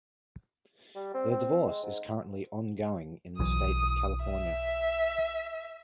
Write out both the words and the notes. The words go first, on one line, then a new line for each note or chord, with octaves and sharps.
Their divorce is currently ongoing in the state of California.
G3
C4
C4
G#3
G#2
B1 E3 F#3 D#6
E5